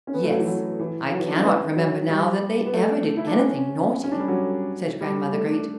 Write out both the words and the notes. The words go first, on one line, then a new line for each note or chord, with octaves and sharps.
"Yes; I cannot remember now that they ever did anything naughty," said Grandmother Great.
C#4
B3
A3
F#3
E3
F#3
E3
F#3
E3
D4
C#4
B3
F#3
G3
B3
A3
E4
D4
B3
C#4
C#4
D4
G3
F#3
G3
A3
D4